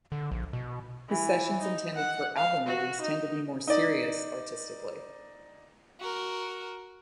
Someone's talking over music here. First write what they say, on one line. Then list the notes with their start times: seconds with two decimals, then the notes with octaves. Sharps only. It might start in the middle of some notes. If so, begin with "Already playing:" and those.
His sessions intended for album release tend to be more serious, artistically.
0.12 D3
0.31 A#1
0.53 B2
1.09 E3
1.61 D#4
1.95 F#5
2.36 F5
2.67 F#4
3.01 D#4
3.67 D#4 D5
6.00 F#4 A#4